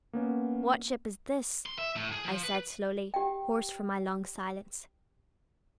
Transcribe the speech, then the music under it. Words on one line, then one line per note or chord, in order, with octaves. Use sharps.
"What ship is this?" I said slowly, hoarse from my long silence.
A#3 B3 C#4
C6
E5
A2
G#4
F3
B4
G4 G5